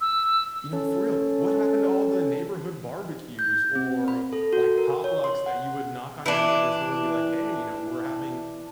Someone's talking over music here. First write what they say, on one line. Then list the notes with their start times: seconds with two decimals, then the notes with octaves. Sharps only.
You know, for real, what happened to all the neighborhood barbecues or, like, potlucks that you would knock on your neighbor's door and be like, "Hey, you know, we're having"
0.01 E6
0.73 C#4 A4
3.39 G6
3.75 C4
4.08 B5
4.33 A4
4.53 F#4
4.78 A#4
5.04 C#5
5.24 C6
5.46 F#5
6.26 E3 D4